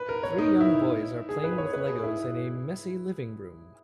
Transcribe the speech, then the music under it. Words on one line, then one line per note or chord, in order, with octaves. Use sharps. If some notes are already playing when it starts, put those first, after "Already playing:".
Three young boys are playing with Legos in a messy living room.
Already playing: B4
A#4
C#5
D#4
E4
G#4
B4
C#5
B4
G#4
E4